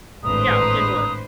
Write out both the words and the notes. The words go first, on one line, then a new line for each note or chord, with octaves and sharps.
Yeah, didn't work.
G#1 A2 D4 B4 C5 A#5 D#6